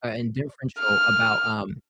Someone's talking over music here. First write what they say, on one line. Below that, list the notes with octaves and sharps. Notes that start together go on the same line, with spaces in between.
uh, and differential about, um,
F6